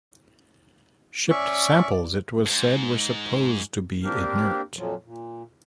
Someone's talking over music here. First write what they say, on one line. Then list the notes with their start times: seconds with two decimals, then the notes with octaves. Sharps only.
Shipped samples, it was said, were supposed to be inert.
1.30 C#4 D5 E5 C#6
2.47 D#2 G#2
4.03 A#3 C4 D4 G4 A#4
4.76 F2 A#2 F3 F#3
5.04 A#2